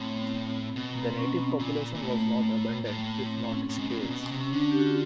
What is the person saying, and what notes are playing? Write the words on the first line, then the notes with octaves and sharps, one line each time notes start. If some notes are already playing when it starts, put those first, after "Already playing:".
The native population was not abundant, if not scarce.
Already playing: A2 C4
B3
C4
B2
A#3
B3
C4
C#4
B3
A#2
A#2
A2 A3
A#3
A3
A#3
A2
C4
C#4
A2
G#2
A2
A#2
B2
C3
C#4
D3 D4
G4
F#4
F4